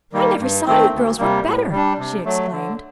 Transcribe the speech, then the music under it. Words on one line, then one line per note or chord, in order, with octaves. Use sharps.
"I never saw you girls work better!" she exclaimed.
D#3 G3 A#3
G2
D#3 A3 C4
D2
C3 G3 A#3
A2
G3 D4
C3
F#3 A3
D3